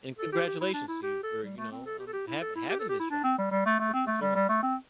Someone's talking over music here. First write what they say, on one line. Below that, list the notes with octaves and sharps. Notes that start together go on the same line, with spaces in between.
and congratulations to you for, you know, um, hav having this job and and for pursuing this.
A4
G4
G4
E4
D4
E4
G4
A4
G3
A3
C4
A4
G4
A4
G4
E4
A4
E4
G4
A4
G4
E4
D4
C4
G3
G3
A3
A3
C4
A3
G3
G3
A3
C4